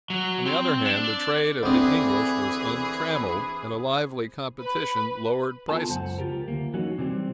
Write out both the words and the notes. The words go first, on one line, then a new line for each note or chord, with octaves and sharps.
On the other hand, the trade of the English was untrammeled, and a lively competition lowered prices.
F#3
C4
D4
D5
D2 E3 C4 E4 G#4 C5 D6 D#6
B4
B3 F4 A4 G#5 A5
C#2 F#2 C5 F#5
C#2 F4 G4 A#4
D2 A#3
E3 F#3 C#4 D#4 F#4
C3 E3 G3 C4